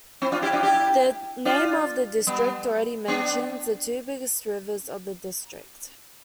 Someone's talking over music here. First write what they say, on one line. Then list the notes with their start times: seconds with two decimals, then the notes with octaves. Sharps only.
The name of the district already mentions the two biggest rivers of the district.
0.22 C4 E4
0.32 D4 F4
0.42 E4 G4
0.53 D4 F4
0.63 E4 G4
1.45 D4 F4
2.27 G3 B3
3.08 B3 D4